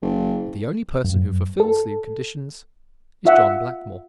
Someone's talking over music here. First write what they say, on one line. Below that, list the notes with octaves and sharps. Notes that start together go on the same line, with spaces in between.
But the only person who fulfills the conditions is John Blackmore.
F#1
F#2
A4
F4 E5 F#5